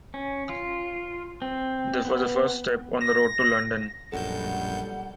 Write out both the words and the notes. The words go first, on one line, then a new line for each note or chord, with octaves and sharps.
This was the first step on the road to London.
C#4
F4
C4
B3
A#6
A#1 F#2 B2 G3 A4 F#5 G6